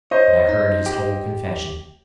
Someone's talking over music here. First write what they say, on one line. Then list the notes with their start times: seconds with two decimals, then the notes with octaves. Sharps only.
And I heard his whole confession.
0.11 C5 C#5 D#5
0.49 D#4
0.86 G4